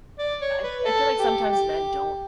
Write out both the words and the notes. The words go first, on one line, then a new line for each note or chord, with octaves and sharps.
I f I feel like sometimes men don't
D5
C#5
B4
A4
G4
G4